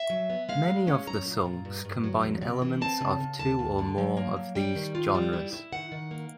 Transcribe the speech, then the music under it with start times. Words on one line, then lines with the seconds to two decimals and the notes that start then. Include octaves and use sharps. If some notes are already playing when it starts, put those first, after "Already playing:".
Many of the songs combine elements of two or more of these genres.
Already playing: E5
0.10 F#3
0.30 B3
0.49 G#3 F5
0.68 G#3
0.87 C#4
1.07 F#3 A#5
1.26 A#2
1.45 A#2
1.65 G2
1.85 G2
2.04 F#3
2.23 E2
2.42 C3
2.62 E3
2.81 C4 A5
3.01 C#3
3.20 C#3
3.39 D2 A5
3.59 D2
3.79 D3
3.98 F#3
4.17 A#3
4.37 F#3
4.55 G3 G5
4.75 D#3
4.95 F4
5.15 G3
5.33 E4
5.53 E4
5.73 D#3 F#5
5.92 D#3
6.11 A#3